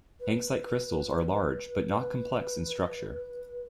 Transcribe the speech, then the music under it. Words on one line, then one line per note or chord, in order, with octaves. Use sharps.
Hanksite crystals are large but not complex in structure.
B4
B4